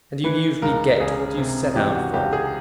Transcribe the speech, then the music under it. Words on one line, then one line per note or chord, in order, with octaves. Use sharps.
And you usually get what you set out for.
E3 B4
C#2 A#4
C#2 G#4
C3
E3 G4
F#4
C#2 G4
G#4